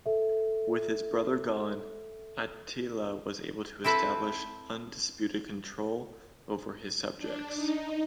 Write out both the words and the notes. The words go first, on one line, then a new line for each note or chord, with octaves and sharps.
With his brother gone, Attila was able to establish undisputed control over his subjects.
A4 E5
C4 E4 A4 B4
D4
D#4